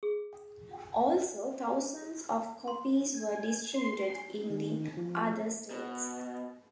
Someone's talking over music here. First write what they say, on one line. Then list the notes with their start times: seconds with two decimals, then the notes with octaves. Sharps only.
Also, thousands of copies were distributed in the other states.
0.03 G#4
2.68 C6
3.14 G#5
3.74 C6
4.50 D#3
4.97 F3
5.71 B2